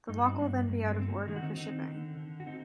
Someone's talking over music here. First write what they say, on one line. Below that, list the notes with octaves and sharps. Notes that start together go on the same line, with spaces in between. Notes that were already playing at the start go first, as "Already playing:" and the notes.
The lock will then be out of order for shipping.
G2 D#4
F#4
C4 D#4
G2 A#3 D4
G2 A#3
A3 C4
D3 C4
A#3
D#3 D#4
F#4
C4 D#4
D#3 C4 D#4
D3
D3
F#4
C4 D#4